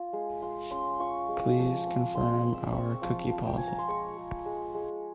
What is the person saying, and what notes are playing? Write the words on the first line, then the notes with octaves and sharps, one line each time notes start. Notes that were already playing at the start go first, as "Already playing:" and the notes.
Please confirm our cookie policy.
Already playing: F4
G#3
F4 C6
C#4 C6
F4 C#6
G#3
F3
C4
C4 C6
C4
E6
C4 C#6
F3
F3
G5
F3 G#5
A#5
C6
G#3 C#6
G#3
G#3
G#3